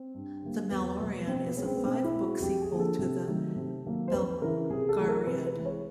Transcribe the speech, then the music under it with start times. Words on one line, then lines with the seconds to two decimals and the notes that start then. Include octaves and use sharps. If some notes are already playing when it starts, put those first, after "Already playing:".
"The Malloreon" is a five-book sequel to the "Belgariad".
Already playing: C4
0.14 G2
0.42 D3 G3 A#3
0.71 E2 B3
0.99 B2 F#3 A#3 B3
1.27 B2 C4
1.47 B3
1.56 G#3 C#4
1.66 C4
1.76 B3
1.85 B2 C4
2.04 E4
2.13 G#3
2.22 F#4
2.42 F2 G4
2.61 G#4
2.70 D3 F3 A#3
2.79 A4
2.99 C3
3.28 D#3 F#3 A3
3.56 C3
3.85 D#3 F#3 A#3
4.08 C5
4.13 F2 B4
4.42 C#3 E3 A#4
4.70 C3 G#4
4.89 A4
4.98 E3 A3
5.04 A4
5.08 A#4
5.27 C3 B4
5.46 B4
5.56 E3 G#3
5.65 C#5